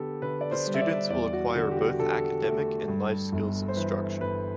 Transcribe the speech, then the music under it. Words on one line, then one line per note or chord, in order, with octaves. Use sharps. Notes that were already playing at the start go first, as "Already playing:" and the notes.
The students will acquire both academic and life skills instruction.
Already playing: D3 B3 G4 A4
D3 B4
D5
C5
G3
E5
D5
E2 D5
F#4
D3 F#4
G4
F#4
D3 A4
A3
G2
G1
C5
E3 B4
G1 B4